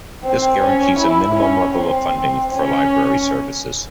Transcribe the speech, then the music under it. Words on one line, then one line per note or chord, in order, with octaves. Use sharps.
This guarantees a minimum level of funding for Library services.
C4
C#4
E4
C#4
C4
C#4